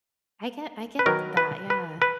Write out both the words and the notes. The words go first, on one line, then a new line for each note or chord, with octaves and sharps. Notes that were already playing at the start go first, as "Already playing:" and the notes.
I get I get that. Yeah.
B4
D#3 F#3 B3 A#4
B4
B4
B4